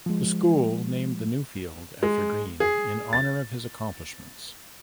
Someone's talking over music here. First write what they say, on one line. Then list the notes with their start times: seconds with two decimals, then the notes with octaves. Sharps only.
The school named the new field after Green in honor of his accomplishments.
0.06 F3 G#3
2.03 G#3
2.60 G#4
3.13 A6